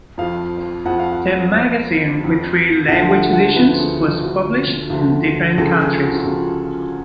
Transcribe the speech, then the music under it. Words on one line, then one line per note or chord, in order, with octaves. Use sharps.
The magazine with three language editions was published in different countries.
F2 F3 F5
F2 F3 F#5
F5
F#5
F2 F3
F2 F3
D2 D3 F3 F#5
F#5
F#5
D2 D3 F3 B4
G#4
F4
D2 D3 F3 F#4
D2 D3 F3
C#2 C#3 F3 A4
G#4
F#4
F4
F#4
C#2 C#3 F3